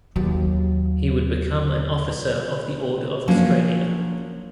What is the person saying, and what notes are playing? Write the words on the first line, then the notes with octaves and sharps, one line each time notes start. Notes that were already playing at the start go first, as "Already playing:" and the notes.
He would become an Officer of the Order of Australia.
D#2 F#3
F3 F#3 A#3 C#4 D4